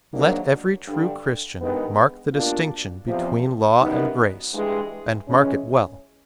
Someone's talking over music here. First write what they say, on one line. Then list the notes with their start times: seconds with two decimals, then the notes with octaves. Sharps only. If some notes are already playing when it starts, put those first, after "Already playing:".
Let every true Christian mark the distinction between law and grace, and mark it well.
0.12 G#2 D#3 F#3 A#3 D4
0.86 G2 D3 G3
1.60 G2 D#3 G#3 B3
2.33 B2 G3 A#3 D4 F4
3.06 E2 C3 F3
3.80 F#2 D#3 G3 B3 D#4
4.53 G2 E3 G#3
5.27 E3 G#3 C#4